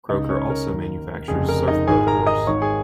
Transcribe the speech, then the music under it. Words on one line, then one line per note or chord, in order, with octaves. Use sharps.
Croker also manufactures surf boat oars.
C#2 C#3 D#4 D#5
C#4 C#5
A#4
D#2 D#3
F1 F2 C#3 G#4
A#4
D#4 D#5
G#1 G#2 D#3 G#4 G#5
A#4 A#5
D#5 D#6
G#1 G#2 D#3 C#5 C#6
G#4 G#5